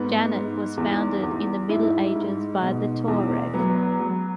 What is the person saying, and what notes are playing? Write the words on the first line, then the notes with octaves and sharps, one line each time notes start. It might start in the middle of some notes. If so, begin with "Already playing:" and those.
Djanet was founded in the Middle Ages by the Tuareg.
Already playing: G#2 B3
G#2
E2
E2
G#2 E4
G#2
B2
E2
F#3 B3
F#3